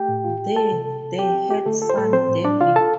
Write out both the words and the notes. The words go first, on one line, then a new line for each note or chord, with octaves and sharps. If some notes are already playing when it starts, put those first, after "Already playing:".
There, they had son David.
Already playing: A3 G4 G5
A2
F4
F4
A3 A4 A5
C3
C3
C3
C4 G4 G5
C4
F4 G4
D3 A3 A4
F4 A4
C5
A2 A3 A4
F3 C4 C5
A2
G3 D4 D5
C3 F4 F5
A4 A5